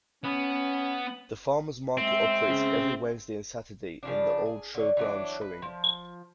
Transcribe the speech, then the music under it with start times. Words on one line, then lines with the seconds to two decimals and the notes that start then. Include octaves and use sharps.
The Farmer's Market operates every Wednesday and Saturday in the old showground showing.
0.24 B3 C#4
1.98 G#3 C4 E5
2.49 C#3
4.03 C#3 F3 D4
4.46 G#4
4.75 D3 C#4
4.97 E3 F#3 D4
5.41 B4
5.62 F3